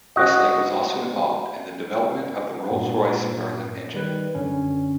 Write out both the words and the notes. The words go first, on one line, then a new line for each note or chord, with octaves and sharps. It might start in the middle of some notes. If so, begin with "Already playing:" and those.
Weslake was also involved in the development of the Rolls-Royce Merlin engine.
F#4 D#5
G2 A#2
D#3 G3 B4
F#2 D3 C#4